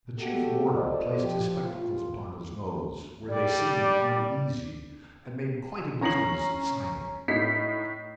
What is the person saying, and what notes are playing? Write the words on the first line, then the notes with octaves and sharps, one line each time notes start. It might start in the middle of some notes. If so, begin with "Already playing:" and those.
The chief warder placed his spectacles upon his nose, where they seemed uneasy, and made quite a business of signing.
G#3 A3 F#4 G4 A4
F4 A4 C5 D5 D#5
F3 G4
A2 F4
G3 D5
C#4 A#5 A#6 C7 F#7
A2 D#4 B6 C7